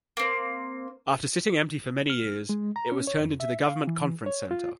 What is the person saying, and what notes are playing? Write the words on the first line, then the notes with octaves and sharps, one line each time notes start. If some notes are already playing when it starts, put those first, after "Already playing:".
After sitting empty for many years, it was turned into the Government Conference Centre.
A#3 C4
F6
G#3
A#5
C#4
C#5
F2
E5
F5
E3
C#5
F4